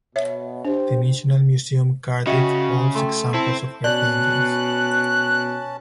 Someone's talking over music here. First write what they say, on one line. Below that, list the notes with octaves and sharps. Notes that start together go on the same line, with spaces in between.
The National Museum Cardiff holds examples of her paintings.
B2 C#5 E5
D4 G4 C5
C#3 F#4 D#5 E5 G5
A3 G5 C6
C4 E4 A5 C6
B2 C#4 D5 A5 F#6